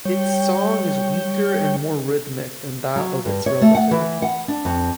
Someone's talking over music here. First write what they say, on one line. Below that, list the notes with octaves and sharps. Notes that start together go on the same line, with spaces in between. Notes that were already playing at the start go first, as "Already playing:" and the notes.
Its song is weaker and more rhythmic than that of its relative.
G3 C#5 G5
F#3
G2
C#5
A3
F#5
E3
F#5
D4
F2